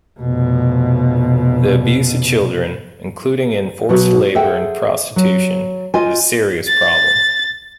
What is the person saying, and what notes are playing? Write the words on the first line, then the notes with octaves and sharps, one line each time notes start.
The abuse of children, including in forced labor and prostitution, is a serious problem.
F1 B2
B2 F#3 F#4
G#4 A4 C5 E5 F#5 G5
F#3
F4 C5 D#5 G#5
A6